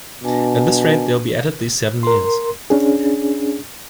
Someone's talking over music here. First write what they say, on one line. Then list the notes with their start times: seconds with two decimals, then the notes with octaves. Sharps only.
At this rate they'll be at it these seven years.
0.24 B2 D4 G#5 A5
2.03 A#4 C6
2.70 C#4 D4 G#4